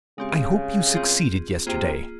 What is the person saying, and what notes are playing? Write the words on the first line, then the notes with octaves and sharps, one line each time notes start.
I hope you succeeded yesterday.
C#3 G#3 C4 G4
C4 F4 G#4
C3 A#3 F4 G#4